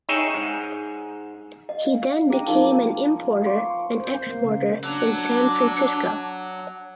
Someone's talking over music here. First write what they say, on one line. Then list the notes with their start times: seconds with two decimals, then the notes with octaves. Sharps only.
He then became an importer and exporter in San Francisco.
0.09 D#4 G#4 C#5 E5 G5
0.34 G#2
1.69 D#5 F5
2.30 C#4 G#4 A#5
2.47 F3 A#3 D#4 A#4 D6
3.45 C#5 C6 D6
4.00 C5
4.27 A#3
4.44 C#3
4.84 F#3 D4